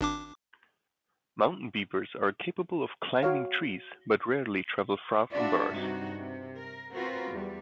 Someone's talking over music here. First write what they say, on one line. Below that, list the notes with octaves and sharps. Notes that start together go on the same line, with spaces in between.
Mountain beavers are capable of climbing trees, but rarely travel far from burrows.
G#1 D4 D6
F#4 C#5 F5
D4 F4 F#4 D5 E5
G2 C3 D#4 F#4
C3
A#4
C4 F4 F#4 A#4 B4
E2 G3